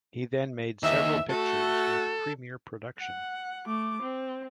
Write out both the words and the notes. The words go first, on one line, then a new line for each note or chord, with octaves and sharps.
He then made several pictures with Premiere Production.
D#2 D#3 E3 D#4 E5
A3 F#4 A4
F#5
A3 D6
C4